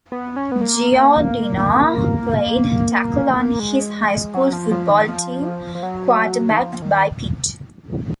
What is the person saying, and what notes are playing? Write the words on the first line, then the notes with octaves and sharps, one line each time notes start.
Giordino played tackle on his high school football team quarterbacked by Pitt.
B3
C#4
B3
A#3
G#3
F#3
F3
F3
D#3
F3
F3
F#3
D#3
F3
D#3